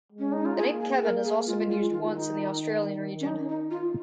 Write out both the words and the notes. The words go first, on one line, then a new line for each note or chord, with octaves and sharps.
The name Kevin has also been used once in the Australian region.
G#3
C#4
D#4
F4
A#3 G#4
G#4
A#3 A#4
G#4
G#3 F4
F4
D#3 F4
D#4
C#4
D#4
D#4
F4